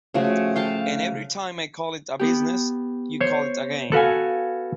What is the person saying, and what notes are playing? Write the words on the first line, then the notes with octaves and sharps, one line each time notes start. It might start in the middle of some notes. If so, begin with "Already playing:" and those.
And every time I call it a business, you call it a game.
C#3 F3 A3 F#4
F5 G5 A5
B3 G4
C5 C#5
F#4 A4 B4 F5 G#5